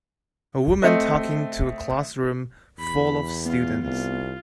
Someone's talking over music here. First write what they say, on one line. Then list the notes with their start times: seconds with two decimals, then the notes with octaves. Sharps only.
A woman talking to a classroom full of students.
0.83 A3 C4 D#5
2.79 E2 B5
3.46 B3 F4
3.83 C2 F4